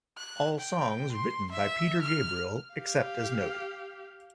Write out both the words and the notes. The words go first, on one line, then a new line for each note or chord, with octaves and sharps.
All songs written by Peter Gabriel except as noted.
F#6
G5
C6
E5
F6
G4 F5